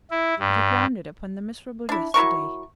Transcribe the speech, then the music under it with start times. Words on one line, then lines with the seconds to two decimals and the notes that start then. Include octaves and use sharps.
Did he ground it upon the miserable yesterday?
0.11 E4
0.39 G2
1.89 D4 E4
2.14 F#3 E4 A#4 C#6